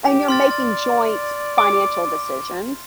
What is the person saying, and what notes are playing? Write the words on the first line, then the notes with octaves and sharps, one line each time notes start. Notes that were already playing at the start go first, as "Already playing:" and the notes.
And you're making joint financial decisions
G4
C6 F6 A6
D5 A6
D6